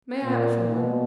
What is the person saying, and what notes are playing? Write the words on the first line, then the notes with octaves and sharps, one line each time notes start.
"May I offer one?"
A#2
B2